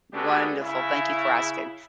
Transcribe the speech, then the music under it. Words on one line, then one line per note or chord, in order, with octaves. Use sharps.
Wonderful, thank you for asking.
G#3 A3 B3 D4 F#4 G4
C#3 E4